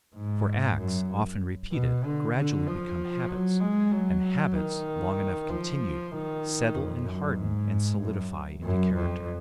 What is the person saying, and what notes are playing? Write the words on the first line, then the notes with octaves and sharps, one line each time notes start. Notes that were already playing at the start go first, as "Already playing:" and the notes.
For acts, often repeated, gradually become habits, and habits, long enough continued, settle and harden and solidify into character.
G#2
F#2
B2
D3
D3
F3
F#3
G#3
F#3
D#3
F3
D#3
F2
F#2
G#2
F#2
F#2
F2